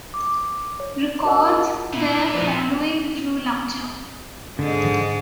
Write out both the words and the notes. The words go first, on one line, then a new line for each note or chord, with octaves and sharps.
Records, their following grew larger.
D6
C#5
F#4 A#4 D#5 F#5 E6
E4 F4 G#4 A5 A#5
A#2 E4
E2 F3 B3 D#4 B4 D5
G#2 D3 G#3